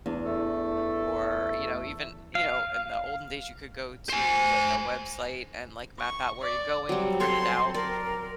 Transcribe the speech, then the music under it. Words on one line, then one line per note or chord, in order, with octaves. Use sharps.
or, you know, even, you know, in the olden days, you could go to, like, a website and, like, map out where you're going and print it out,
E2 D4
A3 A4
F5
C5 G#5
C#6
D5
F#3 G3 C4
A4 C#5 C6
A#4 D5